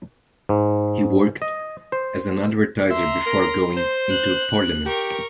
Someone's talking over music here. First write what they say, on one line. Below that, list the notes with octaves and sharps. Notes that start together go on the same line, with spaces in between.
He worked as an advertiser before going into parliament.
G#2
D#5
C5
E5 A#5 C6
A#4
C5
F#6
G4 A#4 C#6